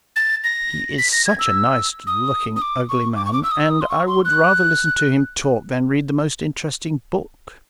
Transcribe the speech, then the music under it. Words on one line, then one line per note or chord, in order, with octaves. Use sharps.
He is such a nice-looking ugly man, and I would rather listen to him talk than read the most interesting book....
A6
A#6
B6
A#6
G#6
E6
D#6
D#6
D6
C#6
D6
C#6
D6
E6
D#6
E6
D#6
C6
C#6
C6
F#6